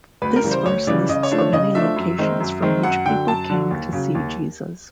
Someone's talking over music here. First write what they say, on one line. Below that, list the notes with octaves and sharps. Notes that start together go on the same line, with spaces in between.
This verse lists the many locations from which people came to see Jesus.
D2 B4
A#4
C#3 E3 G3
C5
D2 C#5
C#3 E3 G3 D5
C#3 D#5
C#5
F3 A3 D4
C#5
C#3 D#5
F3 A3 D4 E5
F#2
D#3 G#3 C4 D#4
F#2
D#3 G#3 C4 D#4
F#2 F#5
D3 F#3 G5
F#2 A5
D3 F#3
D#2
C#3 F#3
D#2